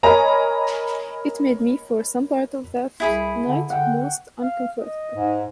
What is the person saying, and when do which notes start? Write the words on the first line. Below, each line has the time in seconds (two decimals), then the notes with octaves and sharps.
It made me for some part of that night most uncomfortable.
0.03 A#4 C#5 D#5 G#5 A#5 B5
3.00 C2 E4 G#4 B5
3.46 D3
3.70 D3 F#5 G5
4.42 F5
4.80 D#5
5.15 G#2